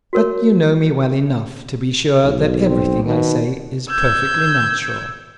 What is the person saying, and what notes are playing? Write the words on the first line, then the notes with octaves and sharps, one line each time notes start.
But you know me well enough to be sure that every thing I say is perfectly natural.
F#4 A#4 C#5
B1
C4
B2 D#3
E6 G6 G#6